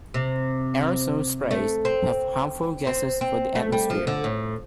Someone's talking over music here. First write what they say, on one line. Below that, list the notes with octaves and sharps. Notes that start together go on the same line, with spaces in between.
Aerosol sprays have harmful gases for the atmosphere.
C3
A3
C4
C4
C4
A3
G3
F3
D3
A2